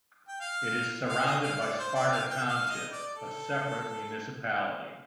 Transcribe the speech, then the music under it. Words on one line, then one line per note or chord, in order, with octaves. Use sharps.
It is surrounded by Sparta Township, a separate municipality.
G5
F5
F5
D#5
F5
D5
C5
D5
F5
G5
F5
F5
D#5
D5
A4